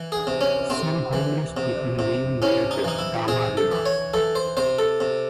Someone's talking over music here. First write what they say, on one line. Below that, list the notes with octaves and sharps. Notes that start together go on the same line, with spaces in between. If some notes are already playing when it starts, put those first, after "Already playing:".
Some homeless people live near the Tama River.
Already playing: E3
G#4
C3
C#4
C3 C4
E3
C3
C3
C3 C#4
D#4
E3 D#4
E4
C3 G#4
A4
E3
C#5
E3 A4
C5
C3 C5
A4
C3